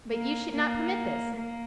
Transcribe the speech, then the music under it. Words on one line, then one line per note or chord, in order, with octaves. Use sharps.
But you should not permit this.
A#3
A#3
A#3